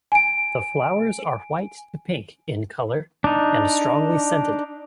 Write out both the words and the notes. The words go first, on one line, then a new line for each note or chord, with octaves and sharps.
The flowers are white to pink in colour, and strongly scented.
G#5 D7
D4 D#4